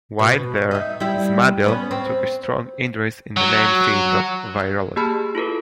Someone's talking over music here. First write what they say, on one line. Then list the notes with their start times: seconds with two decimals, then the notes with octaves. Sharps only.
While there, Smadel took a strong interest in the new field of virology.
0.19 B2
0.71 D#4 E5
1.00 G3 E4 E5
1.66 B3 C#4
1.91 C4
3.37 F#3
4.96 A#3 G4 G#4 A5 B5 F6
5.35 E4 F4 A4 B4